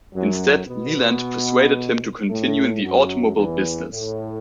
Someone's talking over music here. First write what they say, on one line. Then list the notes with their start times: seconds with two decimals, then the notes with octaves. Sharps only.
Instead, Leland persuaded them to continue in the automobile business.
0.13 F#2 F#3
0.67 B2 B3
2.28 A2 A3
2.83 F#2 F#3
3.36 E2 E3
3.91 A2